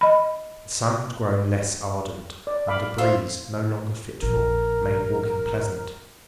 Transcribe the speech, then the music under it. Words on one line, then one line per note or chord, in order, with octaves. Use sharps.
The sun had grown less ardent, and a breeze, no longer fitful, made walking pleasant.
D#5 B5
D5
F5 B5 D6
F4 C5 E5 E6
A#1 A#4